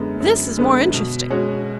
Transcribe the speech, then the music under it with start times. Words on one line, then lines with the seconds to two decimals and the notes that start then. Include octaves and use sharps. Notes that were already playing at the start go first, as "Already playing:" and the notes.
This is more interesting.
Already playing: F#2 D3 G#3 B3
0.20 F#2
0.56 D3 G#3 B3
0.94 B2
1.30 G#3 C#4 F#4